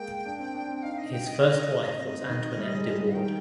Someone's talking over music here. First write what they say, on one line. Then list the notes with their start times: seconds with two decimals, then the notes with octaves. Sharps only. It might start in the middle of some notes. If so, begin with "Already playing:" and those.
His first wife was Antoinette de Bord.
Already playing: G#3 A#3 G5
0.25 D4
0.39 C4
0.55 D4
0.68 C4
0.83 D#4 F5
0.98 D#5
1.12 G5
1.27 D#5
1.98 C4 D#5
2.27 D#3
2.57 G3
2.77 G#3
2.85 G3
3.14 D#3 G5